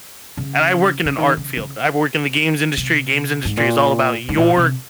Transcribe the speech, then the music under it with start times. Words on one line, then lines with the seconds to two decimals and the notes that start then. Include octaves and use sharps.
and I work in an art field, I've worked in the games industry, games industry is all about your
0.37 C#3
1.05 C#3
1.18 D#3
1.37 C#3
1.57 C#3
2.77 C3
3.45 G#2
3.57 A#2
4.29 G#2
4.37 A#2
4.57 C3